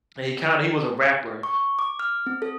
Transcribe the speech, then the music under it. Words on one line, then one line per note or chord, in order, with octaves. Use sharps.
And he kinda he was a rapper,
C#6
D6
F6
C4
A4